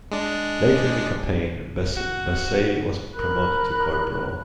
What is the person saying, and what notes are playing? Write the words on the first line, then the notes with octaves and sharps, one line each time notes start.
Later in the campaign, Bassett was promoted to corporal.
G#3 D4
F#4
A#4 B5 F#6